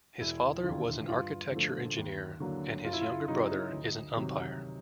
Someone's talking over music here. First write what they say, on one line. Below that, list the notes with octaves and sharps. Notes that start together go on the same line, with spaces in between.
His father was an architecture engineer and his younger brother is an umpire.
E1 E4
D#2 D3 F4
G2 F4
D3 F3 A3
D#2
D3 F#3 A#3
F#2 F4
E4
F4
C#3 F#3 D#4
D2
C3 D#3 F#3